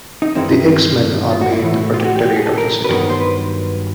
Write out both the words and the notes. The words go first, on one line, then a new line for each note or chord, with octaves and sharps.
The X-Men are made the protectorate of the city.
D#4
G2 D#3 G#3 C4 E4
F4
F#4
E4
A2 E3 A3
F4
G4
F#4
G4
G4
G#4
A4
A#4
B4
G2 D#3 F#3 B3 A#4
C5
B4